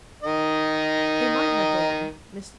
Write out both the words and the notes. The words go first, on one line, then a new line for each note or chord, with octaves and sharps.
They might have been--Mrs.
D#3 D#5